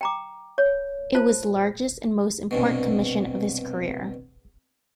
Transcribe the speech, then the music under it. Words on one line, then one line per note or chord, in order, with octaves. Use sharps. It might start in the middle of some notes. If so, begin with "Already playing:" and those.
It was the largest and most important commission of his career.
G5 A#5 D6
C#5
F4 C5 A5
C2 G2 B2